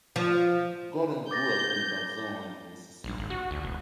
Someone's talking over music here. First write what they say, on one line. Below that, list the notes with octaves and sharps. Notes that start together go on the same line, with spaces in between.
Gordon grew up in Belzoni, Mississippi.
F3
D6 G6 A6 A#6
A#1
G#1
F#4
D2
E1